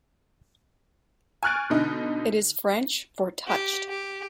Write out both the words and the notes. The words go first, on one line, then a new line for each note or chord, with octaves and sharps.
It is French for touched.
G#5 C#6 F6 F#6 A6 D7
B2 D3 D#4
G4
G4